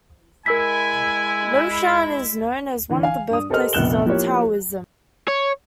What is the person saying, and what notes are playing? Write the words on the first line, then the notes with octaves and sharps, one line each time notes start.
Laoshan is known as one of the birthplaces of Taoism.
G#3 E4 A#4 G#5 E6 B6
D3 E3
F5 G#5
G2 D#6
G4 A4 A#4 C5 D#5 F6
F1 A#1 B3 F#6 E7 G7
F3 A#3 E4 G4 C#5
C#5